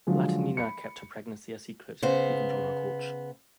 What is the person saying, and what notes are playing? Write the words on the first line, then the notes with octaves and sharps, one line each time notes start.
Latynina kept her pregnancy a secret, even from her coach.
D3 F3 F#3 G#3
B5 C#7
C#3 B3 C5